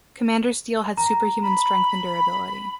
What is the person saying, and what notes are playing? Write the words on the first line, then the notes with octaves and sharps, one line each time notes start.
Commander Steel had superhuman strength and durability.
A#5
B5